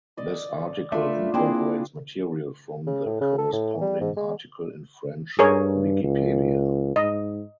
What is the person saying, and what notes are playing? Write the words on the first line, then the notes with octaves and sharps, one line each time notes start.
This article incorporates material from the corresponding article in French wikipedia.
D5 D#5
A3 D4 F4 E5 B5
A#3 C4 D4 E4 G#4
C#3
A2
C#3
A4
A2
G3
G#2
G#3
G2 G#4 A#4 C#5
C#2
G#2 D#5